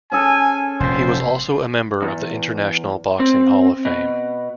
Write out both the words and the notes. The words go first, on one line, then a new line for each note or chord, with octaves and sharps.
He was also a member of the International Boxing Hall of Fame.
C#4 G#4 A4 G#5
F1 A#2 C5
E2
C4
B2